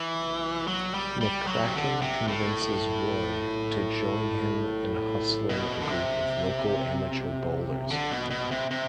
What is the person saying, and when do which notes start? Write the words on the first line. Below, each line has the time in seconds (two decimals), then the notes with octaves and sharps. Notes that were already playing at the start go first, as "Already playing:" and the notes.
McCracken convinces Roy to join him in hustling a group of local amateur bowlers.
Already playing: E3
0.67 F#3
0.94 G3
1.21 G3
1.47 F#3
1.64 C3
1.75 D3
2.02 C3
2.28 A2
5.49 B2
5.81 D3
5.89 C3
7.91 D3
8.11 B2
8.31 B2
8.51 C3
8.71 C3